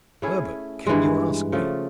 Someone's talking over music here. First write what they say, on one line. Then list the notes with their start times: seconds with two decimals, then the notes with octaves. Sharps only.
"Herbert, can you ask me?"
0.22 A3 C#4 E4 G#4
0.87 G2 E3 G#3
1.52 C#3 F3 A3